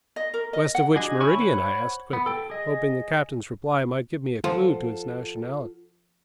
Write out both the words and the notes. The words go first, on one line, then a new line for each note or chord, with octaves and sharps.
"West of which meridian?" I asked quickly, hoping the captain's reply might give me a clue to his nationality.
D#5
A#4
D#5
F#5
D4 F#4 G#4 D#5 G#5
D3 E4 C#5 G#5 C#6
C5 C#5 F#5 B5
B3
A4 G5
G#4 D#5
F3 F4 A4 F#5